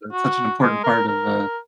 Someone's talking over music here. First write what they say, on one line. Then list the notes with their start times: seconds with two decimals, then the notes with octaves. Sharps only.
that's such an important part of, uh
0.12 F#4
0.61 G#3
0.84 A#4
1.08 A#4